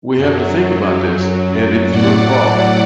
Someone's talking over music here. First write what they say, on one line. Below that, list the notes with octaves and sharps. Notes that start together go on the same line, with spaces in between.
We have to think about this and it 's your fault.
F#2 F#3
F#2 F#3
A2 F#3 D5 F#5